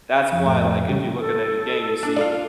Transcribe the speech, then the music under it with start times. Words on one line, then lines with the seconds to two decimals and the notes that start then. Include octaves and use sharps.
That's why, like, if you look at any game, you see
0.32 F2
0.46 A2
0.89 C#3 G3
1.20 A4
2.03 D4
2.16 F4 A4 D5